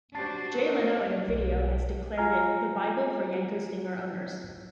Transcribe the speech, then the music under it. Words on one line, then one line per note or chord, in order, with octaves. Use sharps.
Jay Leno in a video has declared it "the bible for Yenko Stinger owners".
D4 F#4 G4 C5 A5 A6 C7
A3 F4 A#4
E1 B1
F4 G#5 A#5 F6